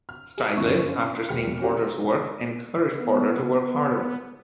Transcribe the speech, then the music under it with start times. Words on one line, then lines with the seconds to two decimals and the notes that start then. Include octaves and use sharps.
Stieglitz, after seeing Porter's work, encouraged Porter to work harder.
0.09 F6
0.38 G#4
0.57 G1 F#2 E4 C#6
0.86 C#4 D4 F4
1.29 E2 B2 G#3 G5 F6 C#7
1.60 C#4 F#4 G4
2.94 B3